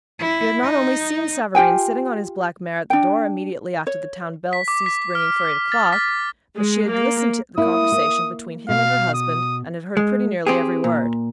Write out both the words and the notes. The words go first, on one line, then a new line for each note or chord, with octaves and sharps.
She had not only seen Savareen sitting on his black mare at the door, immediately after the town bell ceased ringing for eight o'clock; but she had listened to the conversation between him and her husband, and had heard pretty nearly every word.
E4
D#4
F4 G4 G5 G#5
D4 G5
C#5
B6
D6
B6
F6
A6
B6
G#3
A#3
A#3 E4 D#6
A#3
B2 B3 F5
D#6
G#3
C4 G4 G#4
A#2